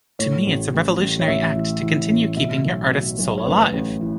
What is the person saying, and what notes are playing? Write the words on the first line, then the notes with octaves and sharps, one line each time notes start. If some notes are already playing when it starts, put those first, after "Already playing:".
To me it's a revolutionary act to continue keeping your artist soul alive.
A2 C#5
A1
A1
A1
C#5
A1 E5
E3
E3
A1
B2 E5
B1
B2
B1
C#5
A1 B4
A1
E3